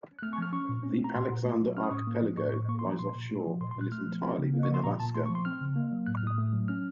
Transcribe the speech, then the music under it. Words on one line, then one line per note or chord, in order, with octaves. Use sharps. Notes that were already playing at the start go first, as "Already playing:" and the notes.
The Alexander Archipelago lies offshore and is entirely within Alaska.
F#6
A3 F6
C#6
F3 F6
C#4 C#6
A#2
C#4
A3
A#5
A#2 C6
A#2
A3
F#3
C#4 F6
D#6
A2 C#6
D#6
A#3
F3
A2 C#6
A2 C#6
A#3 C#6
C6
F3 A#5
A#2 C6
A#2
A3
F3
A#2 C6
C6
A#2 F#6
A3 F6
F3
C4
C#3
A#3
C#6
F3
C6
A#2 A#5
A#2 A5
A3 C6
C#6
F3
C6
C4 F6
C#3
A#3
F#3
A2 F#6
F6
A2 D#6
A3
F#3
C#4 F6